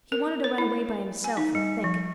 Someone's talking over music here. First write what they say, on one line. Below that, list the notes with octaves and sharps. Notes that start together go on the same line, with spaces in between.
He wanted to run away by himself and think.
A#4
C#5
E4
G#5
D#4
G3
F3